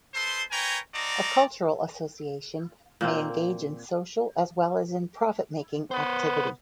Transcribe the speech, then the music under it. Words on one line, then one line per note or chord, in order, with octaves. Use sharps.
A cultural association may engage in social as well as in profit-making activity.
D#4 A4 B4 C5 C6
A#4 B4 C#5 G5 G#5 A#5
C4 F#4 A4 D5 D#5 A#5
A#2 A#3 C4
B3 B4 C5